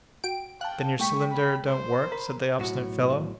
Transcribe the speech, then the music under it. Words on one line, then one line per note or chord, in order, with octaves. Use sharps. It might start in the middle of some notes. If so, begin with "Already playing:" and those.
"Then your cylinder don't work," said the obstinate fellow.
F#4 G5 D7
F5 G5 A5 F#6
A#2 G#3 G5 C#6 B6
B5
C5
A#4 B5
B1 A2 F#4